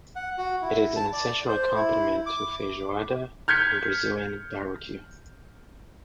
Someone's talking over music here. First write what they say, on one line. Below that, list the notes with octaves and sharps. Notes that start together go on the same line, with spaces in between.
It is an essential accompaniment to "feijoada" and Brazilian barbecue.
F#5
F#4
E4
A5
D5
C5
E4
D6
F6 G6 G#6 B6 C#7